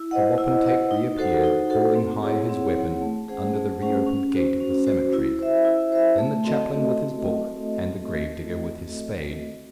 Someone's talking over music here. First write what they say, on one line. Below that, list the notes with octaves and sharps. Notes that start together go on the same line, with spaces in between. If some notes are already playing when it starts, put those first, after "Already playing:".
The wapentake reappeared, holding high his weapon, under the reopened gate of the cemetery; then the chaplain with his book, and the gravedigger with his spade.
Already playing: E4
C5 D#5 F#5
E4
C5 D#5 F#5
D#4
F#4 A4 C5 F#5
D#4
F#4 A4 C5 F#5
C4
E4 G#4 C#5 F#5
C4
E4 G#4 C#5 F#5
A3
C#4 G#4 C5 F#5
A3
C#4 G#4 C5 F#5
C#4
F#4 C5
C#4
F#4 C5
E4
C5 E5
E4
C5 E5
A3
C4 F#4 A4 D#5
A3